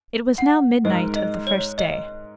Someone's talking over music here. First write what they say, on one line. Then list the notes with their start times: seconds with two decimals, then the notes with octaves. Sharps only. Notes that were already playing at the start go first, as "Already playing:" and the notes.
It was now midnight of the first day.
0.38 F#5
0.84 G#2 G#3 D#4 A#4 D#5
1.16 D#5
1.47 C#5
1.78 D#5